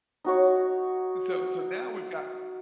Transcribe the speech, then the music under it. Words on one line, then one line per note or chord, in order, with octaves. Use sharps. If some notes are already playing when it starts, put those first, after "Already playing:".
so so now we've got
D#4 F#4 C#5